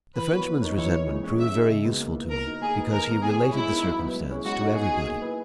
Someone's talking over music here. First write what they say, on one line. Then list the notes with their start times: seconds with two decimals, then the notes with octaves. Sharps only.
The Frenchman's resentment proved very useful to me, because he related the circumstance to everybody.
0.16 E3 B4
0.32 B3 F#4 A#4 C#5
0.47 A#3
0.62 D#4 A#4 C#5
0.78 E3 C#5
0.93 A#3 E4
1.09 G#3
1.23 C#4 G#4 C#5
1.39 B3 E5
1.54 D#4 G#4
1.69 C#3
1.85 G#3 B3 F#4
2.01 A#3
2.15 E4 B4
2.30 B3 A#4
2.46 D#4 F#4
2.61 A#3 G#4
2.77 D#4 F#4 B4
2.92 D#3 A#4
3.07 G#3 B3
3.23 B3 G#4
3.38 E4 G#4 C#5
3.54 G#3 E4
3.68 B3 D#4 A#4
3.84 F#3
3.99 B3 F#4 B4
4.15 G#3
4.31 C#4 E4 G#4 C#5
4.45 G#3 F#4
4.61 D#4 G#4 C#5
4.76 B3 G#4
4.91 D#4 F#4
5.07 A#3
5.22 E4 B4